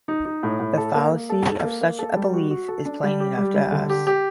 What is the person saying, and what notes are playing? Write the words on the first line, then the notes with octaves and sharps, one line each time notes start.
The fallacy of such a belief is plain enough to us.
D#4
D#4
A2
A2
A4
A#3
A#3
A4
A4
A#3
A#3
A4
G3
F#4
F#4
A4
D4
G3
G4
G3
G3
D3
G4
G4